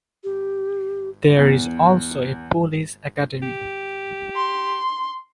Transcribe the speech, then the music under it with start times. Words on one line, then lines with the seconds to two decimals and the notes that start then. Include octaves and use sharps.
There is also a Police Academy.
0.24 G4
1.37 E2
3.42 G4
4.37 C6